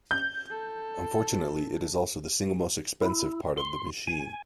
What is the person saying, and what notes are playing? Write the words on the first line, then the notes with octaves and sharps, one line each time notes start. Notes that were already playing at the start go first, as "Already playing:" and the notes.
Unfortunately it is also the single most expensive part of the machine.
G6
A4
E4
C6
G#5